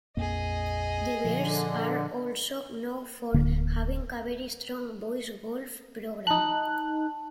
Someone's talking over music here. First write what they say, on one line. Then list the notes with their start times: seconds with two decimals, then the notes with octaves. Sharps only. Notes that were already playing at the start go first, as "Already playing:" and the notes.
The Bears are also known for having a very strong boys golf program.
0.17 A#1 F2 A#3 G#4 D#5
1.24 A#2 D3 F3
3.34 D1 D3 A#3
6.27 D#4 A5 F#6